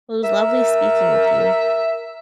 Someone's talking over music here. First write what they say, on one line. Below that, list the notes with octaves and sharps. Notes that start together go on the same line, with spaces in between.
Well, it was lovely speaking with you.
A#4 E5